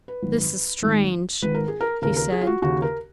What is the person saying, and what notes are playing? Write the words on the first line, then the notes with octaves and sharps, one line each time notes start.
"This is strange!" he said.
B4
G#1 F#2 D#3
G#1 G#2 D#3
G#1 G#2 D#3 B4
A#4
G#4
A#4
D#2 C#3 A#4
A#4
G#4
F4
F#4
D#2 C#3 F#4
A#4